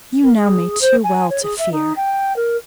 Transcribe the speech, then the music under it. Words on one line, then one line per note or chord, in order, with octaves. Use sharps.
'You know me too well to fear.'
A#4
G#4
C5
G#5
C#5
G#4
E5
D#4
G5
A#4